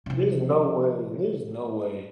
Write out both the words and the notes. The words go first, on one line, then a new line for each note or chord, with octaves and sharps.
There's no way, there's no way.
C3 F3